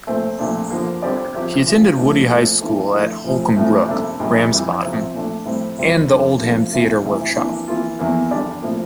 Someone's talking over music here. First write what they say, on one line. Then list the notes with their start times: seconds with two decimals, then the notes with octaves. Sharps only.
He attended Woodhey High School at Holcombe Brook, Ramsbottom, and the Oldham Theatre Workshop.
0.07 A#2 A3 C4
0.39 C2 A#2 A3 D4
0.70 D3 F3 A#3
1.02 D3 G3 C4 G4 D5
1.34 C2 C3 F3 C4 G4
1.66 A1 G2 F3
1.97 A2 F3 A3 D4
2.29 A#2 F3 A3
2.61 G2 E3 A#3 E4 A4
2.92 D3 A3 E4
3.24 A1 A2 F3 C4
3.56 A1 A2 F3 A3
3.88 C3 G3 A#3 D4 A4
4.20 A#1 A#2 G3 A#3
4.51 F2 E3 G3
4.83 C2 C3 F3 C4
5.14 A#2 A3 D4
5.45 A2 G3 C4
5.78 F2 C3 G3 C4 F4
6.09 F2 D3 G3 D4
6.41 G2 F3 A3
6.72 C2 C3 E3 A#3 F4
7.04 D2 C3 E3
7.36 E3 A#3 D4
7.68 E3 A#3 F4
7.99 E2 E3 A#3
8.31 D3 G3 D4 G4 D5
8.62 A2 F3 A#3